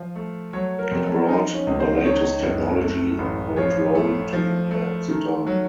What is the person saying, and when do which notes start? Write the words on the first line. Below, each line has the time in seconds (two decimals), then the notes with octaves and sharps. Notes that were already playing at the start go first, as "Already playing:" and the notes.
It brought the latest technology in cold rolling to India at the time.
Already playing: F3
0.16 A3
0.53 F#3 C#5
0.79 A#4
0.91 F2
1.04 A4
1.29 F3 D#4
1.54 C#4
1.67 C#2
1.80 C5
2.05 D#3 C#5
2.43 F#1
2.81 A3
3.18 A1
3.56 F3 C#5
3.95 A3
4.33 F3
4.71 A3
5.08 D#3
5.47 F#3